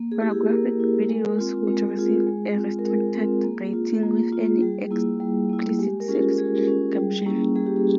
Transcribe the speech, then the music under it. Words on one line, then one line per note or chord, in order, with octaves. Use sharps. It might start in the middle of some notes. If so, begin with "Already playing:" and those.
Pornographic videos would receive a Restricted rating with an "Explicit Sex" caption.
Already playing: A#3
G#4
E4 G4
G#4
A#3 A#4
E4
G#3
C4 F4
G#3
C4 F4 G#4
G#3
C4 F4
A#4
G#3 G#4
C4 F4
A#3
F4
A#3
F4
G3 G#4
A#3 E4
G3
A#3 E4
G#3 G4
A#4
C#4 F4 G#4
A#4
G#3 G#4
C#4 F4
G3
A#3 C#4 E4
G3 G#4
G4
G#4